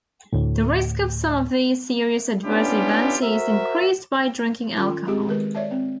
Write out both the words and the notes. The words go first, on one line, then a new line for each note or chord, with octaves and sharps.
The risk of some of these serious adverse events is increased by drinking alcohol.
D2 A2
B3 C#4 D4 E4 F4 G4
F#4 A#4 C5 E5
D#3 C#4 F4 C6 D6
G#3 C4 G4 G#4
D#3 G#3 A#4 B4
C#5 D5 E5 A5
C4